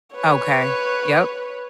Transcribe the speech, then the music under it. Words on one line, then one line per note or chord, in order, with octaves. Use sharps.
Okay, yep.
B4 C#5